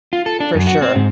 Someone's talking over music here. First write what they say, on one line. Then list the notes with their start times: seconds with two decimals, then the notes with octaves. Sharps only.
for sure.
0.13 F4
0.26 A4
0.40 D4
0.55 F#2
0.67 F#4
0.82 C4
0.95 G#2